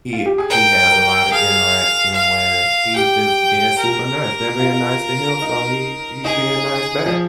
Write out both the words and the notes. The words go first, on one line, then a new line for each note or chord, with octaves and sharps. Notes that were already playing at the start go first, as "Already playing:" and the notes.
he he has a lotta interaction where he's just being super nice. They're being nice to him, so he's he's being nice back,
F4
G4
G#4
A#4 G5
A#4
G#4 F5
F5
G4 G5
A#4
F4
D#4
D#4 G#4
F3